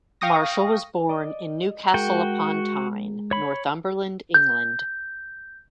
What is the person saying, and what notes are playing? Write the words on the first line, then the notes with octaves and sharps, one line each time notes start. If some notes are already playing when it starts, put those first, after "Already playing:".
Marshall was born in Newcastle upon Tyne, Northumberland, England.
F5 G5 C#6 D#6 A#6
D5 D#5
G#3 F#4 G#4 A#4 G5
C#5 B5
G6